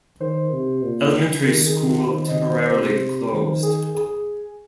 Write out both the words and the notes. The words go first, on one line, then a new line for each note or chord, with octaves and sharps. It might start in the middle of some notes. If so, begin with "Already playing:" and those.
Elementary school temporarily closed.
D#3 C5
C3
A#2
D#3 A#4
G#4
F4
D#3 C5
D#5
C5
C3 C5
D#3 C5
A#4
G#4
G#4